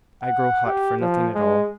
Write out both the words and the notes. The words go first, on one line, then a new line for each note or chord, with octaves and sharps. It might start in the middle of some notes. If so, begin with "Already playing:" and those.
I grow hot for nothing at all.
F#5
G4
F3
G#3